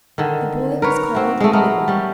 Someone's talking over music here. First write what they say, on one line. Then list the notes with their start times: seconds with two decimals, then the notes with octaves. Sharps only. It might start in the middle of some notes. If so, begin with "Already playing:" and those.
The boy was called Willem.
0.18 D3 D#3
0.82 A#4 B4 C#5
1.15 C4 F#4
1.40 G#3 A3
1.53 A3 B3 A#4
1.88 G3 C#4